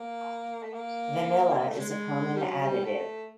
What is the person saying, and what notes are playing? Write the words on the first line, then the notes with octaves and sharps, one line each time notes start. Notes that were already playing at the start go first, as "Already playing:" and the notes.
Vanilla is a common additive.
Already playing: A#3
A3
A#3
A#3
A3
G#3
G#3
G3
F#3
G3
A3